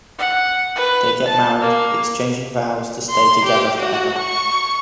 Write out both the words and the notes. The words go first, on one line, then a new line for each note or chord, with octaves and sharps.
They get married, exchanging vows to stay together forever.
F#5
B4
A5
A#3
C6
G4
F#4
C#6